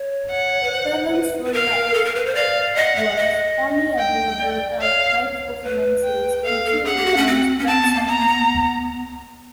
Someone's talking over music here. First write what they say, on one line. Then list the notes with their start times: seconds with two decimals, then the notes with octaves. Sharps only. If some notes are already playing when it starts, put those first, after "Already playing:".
"Felons for Life" was only available at live performances and through the band's website.
Already playing: C#5
0.31 F#5
0.63 B4
0.72 C5
1.13 B4
1.45 B4
1.53 A#4 F5
1.94 A4
2.05 A#4
2.15 B4
2.26 C5
2.35 D5 F5
2.76 D#5 F#5
2.96 E5
3.16 D#5
3.99 G5
4.40 D5
4.80 C#5 F5
5.62 B4
6.03 G5
6.44 A4 F5
6.65 A4
6.85 G#4 F#5
6.96 G4
7.06 F#4
7.17 C#4
7.27 C4
7.59 C#4
7.67 C4 A5
7.81 B3
7.94 A#3
8.08 B3 A#5
8.19 A#3
8.28 B3